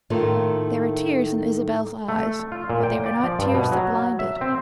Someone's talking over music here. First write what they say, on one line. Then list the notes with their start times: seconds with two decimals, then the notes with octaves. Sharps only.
There were tears in Isabel's eyes, but they were not tears that blinded.
0.10 A2 D#3 A3 A#3 F4
2.09 A3
2.52 F4
2.70 A#2
2.83 G5
3.06 D5
3.24 F3
3.39 G2
3.54 B2
3.72 F#3
4.19 E5
4.41 C4